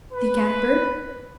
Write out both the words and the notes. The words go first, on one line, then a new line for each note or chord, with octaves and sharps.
The Cat-bird.
B4